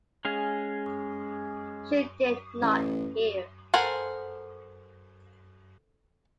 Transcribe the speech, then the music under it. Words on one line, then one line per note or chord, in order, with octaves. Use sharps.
She did not hear.
G#3 C#4 G#4 F5
A1
A4 A#4 C5 F#5 G#5